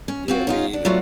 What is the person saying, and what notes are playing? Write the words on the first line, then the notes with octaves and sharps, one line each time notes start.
Yeah, me either.
C#4
C4 F4 F#4
C#4 D#4 F4
D4
F#3 A3 B3 D4 F4 F#4